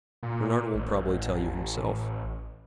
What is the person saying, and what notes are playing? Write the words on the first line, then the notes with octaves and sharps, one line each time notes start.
Bernard will probably tell you himself.
A#2
A1